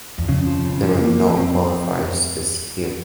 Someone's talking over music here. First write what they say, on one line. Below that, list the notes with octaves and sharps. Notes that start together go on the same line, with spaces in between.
There were no qualifiers this year.
E2
F2 C#3
F3
C#3
F3
A#3
F3
F#2
F2 C4
C4